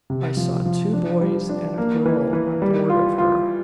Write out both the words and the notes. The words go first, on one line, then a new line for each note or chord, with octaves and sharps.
"I saw two boys and a girl on board of her."
C3
F3
F3
D4
G3
D4
A#3
E3
E3
G3
F4
F4